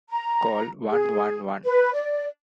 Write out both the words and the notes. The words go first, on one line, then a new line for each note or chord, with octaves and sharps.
Call one one one.
A#5
G#4
B4
D5